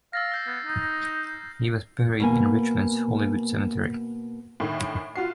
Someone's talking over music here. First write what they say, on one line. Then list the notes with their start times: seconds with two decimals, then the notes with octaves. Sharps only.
He was buried in Richmond's Hollywood Cemetery.
0.13 F5 E6 A6 A#6
0.32 F6 G6 C7
0.47 B3
0.65 D#4
1.07 G6
2.20 B2 A#3 G#5
4.60 D2 A2 D#3
5.16 F4 F#4 C7